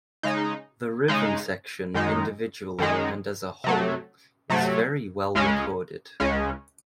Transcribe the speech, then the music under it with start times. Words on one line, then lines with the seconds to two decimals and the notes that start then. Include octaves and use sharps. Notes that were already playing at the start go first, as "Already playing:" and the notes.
The rhythm section, individually and as a whole, is very well-recorded.
0.23 C#3 G#3 D#4
1.08 C#3 G#3 D#4
1.94 F#2 D#3 G#3 D#4
2.79 F#2 D#3 G#3 D#4
3.64 C3 F#3 A3
4.50 C3 F#3 A3
5.35 C#2 C#3 G#3 C#4
6.20 C#2 C#3 G#3 C#4